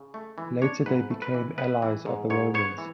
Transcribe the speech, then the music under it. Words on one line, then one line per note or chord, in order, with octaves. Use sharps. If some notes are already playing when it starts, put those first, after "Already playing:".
Later they became allies of the Romans.
Already playing: C#3
A3
E3
D4 C#5
G#2 B4
A3
B4
E3
B3 B4
E3
G#2
G#2 C#5
B3 C#5
E3